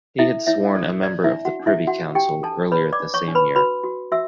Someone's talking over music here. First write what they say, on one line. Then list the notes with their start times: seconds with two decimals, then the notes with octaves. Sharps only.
He had sworn a member of the Privy Council earlier the same year.
0.19 E4 A4 E5
0.47 E4 C#5 E5
0.75 A4 D5
1.03 C#5 D5
1.24 E4 E5
1.31 D4
1.45 F#4 F#5
1.59 D4
1.66 E4 E5
1.87 D4 F#4 F#5
2.15 D4 G4 G5
2.43 D4 A4 A5
2.72 B4 C#5 B5
2.92 D5 D6
3.00 D4
3.14 C#5 C#6
3.28 D4
3.35 B4 B5
3.56 F#4 B4 B5
3.83 F#4
4.12 F#4 E5 E6